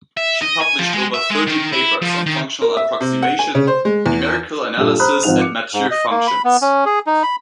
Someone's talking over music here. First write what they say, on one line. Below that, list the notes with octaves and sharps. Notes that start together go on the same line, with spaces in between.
She published over thirty papers on functional approximation, numerical analysis and Mathieu functions.
E5
D#5
G#5
F3
G#3
E5
G#3
D#3
E4
F3
D#3
A#4
E5
C3
F#5
G#5
C#3
C5
G#3
E2
G2 A#2 A4
C5 A#5 B5 D#6 F6 F#6
G#1 F3 C4 D#4 F#5 F7
D6 C#7
G#2
D#5
A#3
B5
B3
C#4
G#4
D#4
B5